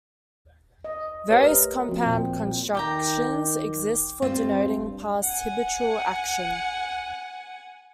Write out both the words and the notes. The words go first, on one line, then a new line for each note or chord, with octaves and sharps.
Various compound constructions exist for denoting past habitual action.
D#5
A3 G4 A#4 B4 C#5
F3 C4 F#4
A#2
D#3 G4 G5 A#5
G2 C4 F4
F#5 G#5